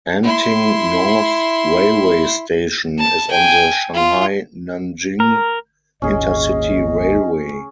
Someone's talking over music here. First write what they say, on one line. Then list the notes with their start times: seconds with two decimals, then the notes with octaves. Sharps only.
Anting North Railway Station is on the Shanghai-Nanjing Intercity Railway.
0.23 E4 C6
2.99 A5
3.30 G5 G#5
3.94 F4
5.20 A#4
6.02 G#1 D#2 A#2 C#4 G#4 D#5